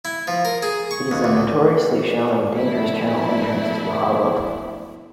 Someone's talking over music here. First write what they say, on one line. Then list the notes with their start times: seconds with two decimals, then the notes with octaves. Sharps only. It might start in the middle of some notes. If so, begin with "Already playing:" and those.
It is a notoriously shallow and dangerous channel entrance to the harbour.
0.05 E4
0.27 F3
0.45 A#4
0.63 G#4
0.91 C#6
1.11 D#2
1.24 D2
2.53 B2 F3 A3 B3 D4 E4